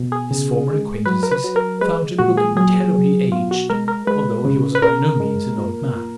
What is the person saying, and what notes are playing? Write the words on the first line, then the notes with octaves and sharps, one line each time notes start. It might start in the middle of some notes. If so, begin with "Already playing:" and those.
His former acquaintances found him looking terribly aged, although he was by no means an old man.
Already playing: B2
G#4
C#3
G#3
F#3 B4
A#4
B4
F#3
A#4
G#3 B4
A#2 F#4
G#4
F#3 G#4
F#3
B2 F4
F#4
G#3 A#4
A#4
G#3 B4
C#3
B4
C#3 A#4
G#3
A#2
A#2